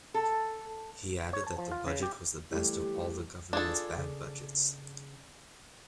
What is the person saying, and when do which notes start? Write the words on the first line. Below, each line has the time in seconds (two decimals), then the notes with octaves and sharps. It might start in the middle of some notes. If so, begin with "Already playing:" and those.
He added that the budget was the best of all the government's bad budgets.
0.14 A4
1.33 C#5
1.47 A5
1.58 F3
1.72 F4
1.86 C#3
2.03 G4
2.51 E3 G3 A3 G4
3.53 D4 F4 G#4 A4
3.98 C#3